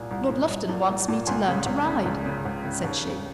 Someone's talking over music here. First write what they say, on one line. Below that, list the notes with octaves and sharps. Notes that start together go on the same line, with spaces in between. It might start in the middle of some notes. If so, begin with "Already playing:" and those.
"Lord Lufton wants me to learn to ride," said she.
Already playing: C2 A#2 G#5
C2
A#2
C2
A#2
C2
A#2
C#2 G#5 C6
C#3
C#2
C#3
C#2
C#3
C#2
C#3
D#2
C#3